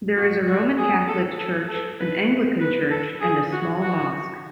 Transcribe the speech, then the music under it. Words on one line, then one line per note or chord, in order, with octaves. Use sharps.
There is a Roman Catholic church, an Anglican church, and a small mosque.
F#4
F#4
G#4
A4
A4
A4
B4
B4
A4
G#4
F#4
F#4